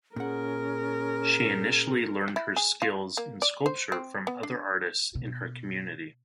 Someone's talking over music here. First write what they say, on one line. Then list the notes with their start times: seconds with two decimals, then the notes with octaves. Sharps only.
She initially learned her skills in sculpture from other artists in her community.
0.16 A#2 C#4 G#4 A#4 F#5
2.36 E4
2.56 G#4
2.82 F4
3.17 A#3
3.42 D5
3.66 C5
3.92 C4
4.27 B3
4.43 D4
5.15 B2